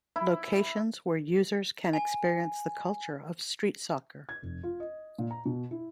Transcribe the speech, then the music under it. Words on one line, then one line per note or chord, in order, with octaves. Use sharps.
Locations where users can experience the culture of street soccer.
E4
G#5
G#6
F1
F4
D#5
A#2
A#5
B2
E4